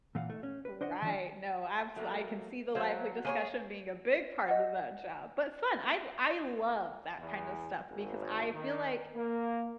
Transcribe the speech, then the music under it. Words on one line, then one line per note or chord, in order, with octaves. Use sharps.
Eh, right. No, absol I can see the lively discussion being a big part of that job, but fun. l l I love that kind of stuff because I feel like
A#2 E3 F5 F#5
A3
C#4
B4
D4 C5 D#5 F#5
D#3 F3 D4
F#3 A3 A#3
F#3 C5 C#5 F5
A#3 G#4 C5 C#5
D#5 F#5
E2
G#1
D#3
A#3